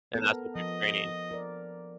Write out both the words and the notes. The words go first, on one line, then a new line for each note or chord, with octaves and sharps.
and that's what you're training.
B3 A4 A#4
F3 D#5
A#4 D5